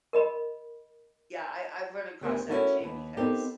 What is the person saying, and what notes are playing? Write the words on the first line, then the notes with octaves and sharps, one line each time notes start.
Yeah, I I've run across that too because,
A#4 D#5 B5
D2 B3 G4 A#4 C5
C#4 D4 E4 F#4 A4 A#4
D#2 B4
B3 C4 D#4 G4 A4 A#4